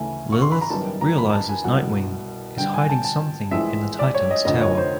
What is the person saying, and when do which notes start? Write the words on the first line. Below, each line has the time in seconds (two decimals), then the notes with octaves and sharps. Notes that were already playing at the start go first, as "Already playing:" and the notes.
Lilith realizes Nightwing is hiding something in the Titans tower.
Already playing: D2 C#3 E3 A3 G#5
0.32 C#6
0.42 C6
0.52 B5
0.61 A#5
0.70 F#1 F#2 D#3 G3 B3 A5
1.01 A#5
1.18 B5
1.33 A5
1.49 G#5
1.64 C2 B2 G3 B3 F#5
2.58 G2 D3 G3 G5
2.74 G#5
2.89 A5
3.04 A5
3.51 A#1 A2 E3 G#3 E5
3.99 D5
4.15 C#5
4.31 D#5
4.45 F1 F2 D3 D#5
4.61 C#5
4.78 C5